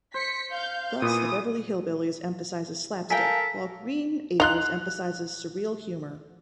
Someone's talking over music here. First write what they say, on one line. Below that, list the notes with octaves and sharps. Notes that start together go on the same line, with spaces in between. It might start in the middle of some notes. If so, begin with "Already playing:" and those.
Thus "The Beverly Hillbillies" emphasizes slapstick, while "Green Acres" emphasizes surreal humor.
C5 B6 C#7
F5 G6
A#2 E3 B3 D#6
A4 A#4 F5 G5 G#5 B6
D#4 F4 F#6 F7